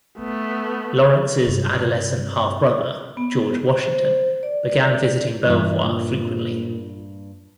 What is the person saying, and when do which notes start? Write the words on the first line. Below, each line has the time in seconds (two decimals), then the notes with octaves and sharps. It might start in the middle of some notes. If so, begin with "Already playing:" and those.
Lawrence's adolescent half-brother, George Washington, began visiting Belvoir frequently.
0.19 A3 B3
1.47 G2 C3
3.17 B3
3.78 C5
4.43 D5
5.46 G2 E3 A#3 E5
5.83 A#2